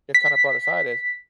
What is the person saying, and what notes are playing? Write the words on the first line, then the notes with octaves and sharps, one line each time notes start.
it's kinda brought aside is
B6